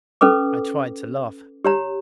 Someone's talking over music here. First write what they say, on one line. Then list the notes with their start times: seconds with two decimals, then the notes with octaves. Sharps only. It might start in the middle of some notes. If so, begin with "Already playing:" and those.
I tried to laugh.
0.21 C#4 A4 B4 D6
1.65 G4 C#5 A#5